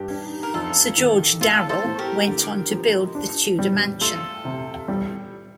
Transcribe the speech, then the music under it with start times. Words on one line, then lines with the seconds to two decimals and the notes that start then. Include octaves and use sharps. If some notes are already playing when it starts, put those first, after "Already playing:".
Sir George Darell went on to build the Tudor mansion.
Already playing: G2 G4
0.10 D4
0.43 A#4
0.54 F2 F4 A4
0.97 D#3
1.41 A2 F4 A4
1.69 A4 C5
1.84 A2
1.99 G4 A#4
2.28 D3
2.71 F3
3.15 D4
3.59 G3
4.01 A3 F4 A4
4.45 C3
4.88 G3